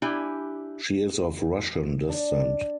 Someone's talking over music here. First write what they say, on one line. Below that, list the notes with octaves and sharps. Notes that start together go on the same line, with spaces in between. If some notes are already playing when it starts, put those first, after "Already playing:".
She is of Russian descent.
D4 E4 G4 G#5
D4